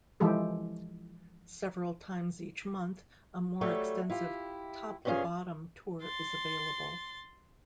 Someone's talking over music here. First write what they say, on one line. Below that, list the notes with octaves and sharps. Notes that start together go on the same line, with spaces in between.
Several times each month a more extensive "top to bottom" tour is available.
E3 F3 G#3 G4 A4
F#3 G3 A3 A4 C#5
E4 F4 G4
G2 C3 C#4 D#4 F4 G#4
C6 A6